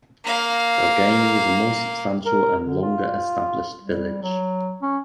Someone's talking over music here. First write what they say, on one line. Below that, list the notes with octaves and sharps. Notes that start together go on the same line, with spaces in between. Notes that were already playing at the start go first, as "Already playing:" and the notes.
Delgany was a more substantial and longer established village.
A#3 F5
A#4
D3
F4
G3
F#3
C#4